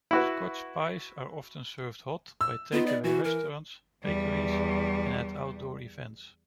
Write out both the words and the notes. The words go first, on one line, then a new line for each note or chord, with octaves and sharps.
Scotch pies are often served hot by take-away restaurants, bakeries and at outdoor events.
E4 F#4 B4
E6
B3 D#4 F4
D5
E3 F#4
A#4
E2 G3